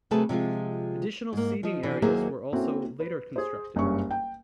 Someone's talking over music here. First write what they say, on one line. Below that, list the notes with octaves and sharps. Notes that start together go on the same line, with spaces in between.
Additional seating areas were also later constructed.
C3 F#3 A3 G#4 B4 A5
C3 F3 G#3 F4
G#2 A#3
F3 D#5
B2 D3 E3
D#2 F#3 A#3 G#4 C5 E5
A#3 C4 C#4 E4 F#4 A4
B4
G#4 C5
F#1 G2 C#4 C#6
G5